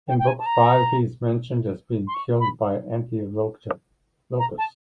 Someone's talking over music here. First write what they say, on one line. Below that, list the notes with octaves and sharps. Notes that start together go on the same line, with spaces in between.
In Book Five, he is mentioned as being killed by Antilochus.
G5
G5
G#5
A5
A#5
C6
C#6
B5
A#5
A5